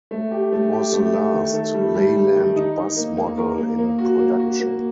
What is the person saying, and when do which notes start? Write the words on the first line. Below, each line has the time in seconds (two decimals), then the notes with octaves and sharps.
It was the last Leyland bus model in production.
0.11 A3
0.31 G4
0.52 A3
0.73 G4
0.93 A3
1.13 A3
1.33 D#3
1.54 A4
1.74 G3
1.95 G3
2.15 G3
2.36 D#3
2.56 D#4
2.77 D#4
2.97 A#3
3.17 A#3
3.37 A#4
3.58 A#3
3.78 A#3
3.98 F#4
4.19 A#3
4.40 F#4
4.60 A#3